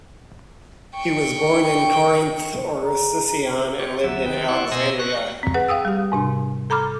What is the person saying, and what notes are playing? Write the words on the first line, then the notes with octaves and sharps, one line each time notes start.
He was born in Corinth or Sicyon, and lived in Alexandria.
G5 C#6
G#4 A#5
G4 C#5
D2 F#3 E5
D#3 B4 G5
C4 E4 D5 F#5 C#6
B2 C5 D#5 G#5 E6 A#6
C#6 F#6 A#6
C4
G#4 B4 F#5
F5 G5 D#6 E6
G3 G4
G#2 C3 D4
A4 A#5 B5 D6 F6